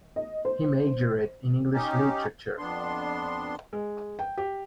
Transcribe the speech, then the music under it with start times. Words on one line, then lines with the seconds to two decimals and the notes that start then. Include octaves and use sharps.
He majored in English literature.
0.16 D#5
0.45 C5
1.73 C#4 D#4 G4
2.58 F2 B3 D4 C6
3.73 G#3
4.19 G5
4.37 G4